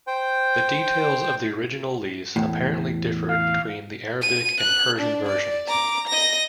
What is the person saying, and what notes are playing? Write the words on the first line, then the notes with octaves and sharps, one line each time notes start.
The details of the original lease apparently differed between the Arabic and Persian versions.
C5 G5
E2 A2
F5
D#7
F#6
D4
D5
A#5 D6
D#5 A#6